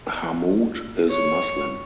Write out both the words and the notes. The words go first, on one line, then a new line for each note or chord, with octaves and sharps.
Hammoud is Muslim.
C#5